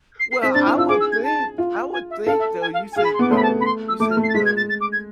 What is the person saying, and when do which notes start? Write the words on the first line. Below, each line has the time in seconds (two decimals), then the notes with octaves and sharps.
Well, I would think, I would think, though, you said, um, you said, um
0.20 C7
0.31 C7
0.42 C4 B6
0.54 D4 A6
0.66 E4 F6
0.77 F4 E6
0.89 G#4 D6
1.00 E6
1.12 G#6
1.24 A5
1.58 F4
1.93 G#5
2.10 E5
2.27 A4 F5
2.39 E5
2.61 G#5
2.73 F5
2.92 G#5
2.96 G#4 F5
3.04 B5
3.14 C6
3.19 B3 D6
3.31 A3 C6
3.36 B5
3.43 A5
3.60 B5
3.65 C6
3.88 E6
4.00 A3 D6
4.11 F6
4.17 A3
4.23 C7
4.29 A6
4.34 G#3 B6
4.45 G#6
4.57 A6
4.69 A6
4.81 D6
4.92 G#6